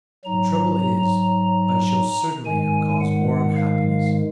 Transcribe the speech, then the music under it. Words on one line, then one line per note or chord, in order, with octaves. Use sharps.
The trouble is I shall certainly have caused more unhappiness....
G#2 F#3 A#5
A#5
G#2 D#3 G#3 G#5
F#5
F5